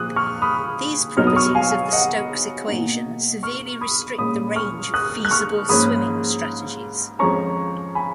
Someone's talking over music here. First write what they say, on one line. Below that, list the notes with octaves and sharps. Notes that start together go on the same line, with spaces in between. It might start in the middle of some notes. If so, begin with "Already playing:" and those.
These properties of the Stokes equation severely restrict the range of feasible swimming strategies.
Already playing: A#2 F3 A#3 D#6 F#6
C#6 F6
B5 D#6
B2 F#3 B3 D#4 F6
D#6
C#6 F6
F5 G#5
D#5 F#5
B2 A#3 D#4
C#6 F6
B5 D#6
A#2 G#3 C#4 B5 D#6
C#6 F6
D#6 F#6
F#6
C#6 F6
G#2 F3 A#3 C#4 B5 D#6
F2 F3 G#3 C#4 A#5 C#6
G#5 B5